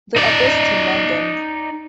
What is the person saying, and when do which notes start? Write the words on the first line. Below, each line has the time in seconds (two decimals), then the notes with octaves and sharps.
They are based in London.
0.16 D#4 D5